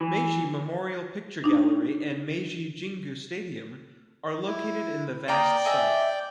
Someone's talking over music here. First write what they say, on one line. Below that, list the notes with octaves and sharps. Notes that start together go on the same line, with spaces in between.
Meiji Memorial Picture Gallery and Meiji Jingu Stadium are located in the vast site.
E3
D4 D#4
E4
A#3 D5 G5 A#5 D#6
D#5 E5 G#5